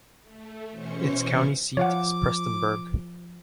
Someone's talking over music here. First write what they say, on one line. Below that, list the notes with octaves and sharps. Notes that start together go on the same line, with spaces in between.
Its county seat is Prestonsburg.
A3
B2 E3 C#4 C5 C#6 C#7
F3 C#5 F5 F#5 D6